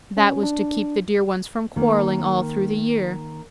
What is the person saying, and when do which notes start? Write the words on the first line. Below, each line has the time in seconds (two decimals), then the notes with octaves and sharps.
That was to keep the dear ones from quarreling all through the year.
0.17 C#4
0.43 D4
1.76 D#3 A#3